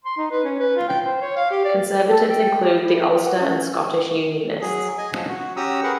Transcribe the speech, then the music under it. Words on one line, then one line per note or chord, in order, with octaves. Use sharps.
Conservatives include the Ulster and Scottish Unionists.
C6
D#4
B4
C#4
B4
F4
G5
C5
C#5
F5
G4
D5
A4
G5
G4
E4
E5
A#4
F#5
C#4
F#3 G#4
D#5 G#5
F3 F#3
F#4
C#4 F#4 G4 A#5 D#6 E6
G#4 A#4 B4 F#5